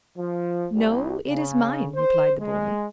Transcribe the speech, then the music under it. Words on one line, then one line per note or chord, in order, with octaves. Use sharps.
'No, it is mine,' replied the boy.
F3
C2
C#3
C5
G#3